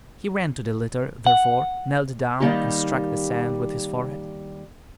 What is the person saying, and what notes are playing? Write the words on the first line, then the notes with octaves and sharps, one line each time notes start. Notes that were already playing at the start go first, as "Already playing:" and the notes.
He ran to the litter, therefore, knelt down, and struck the sand with his forehead.
F#5
D#3 F3 G3 A#3 D#4 G4